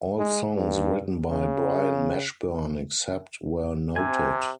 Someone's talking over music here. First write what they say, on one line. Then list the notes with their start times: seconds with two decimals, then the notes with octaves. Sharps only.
All songs written by Brian Mashburn except where noted.
0.19 G#3
0.55 G2
1.31 C#3
3.96 C3 C4 G#5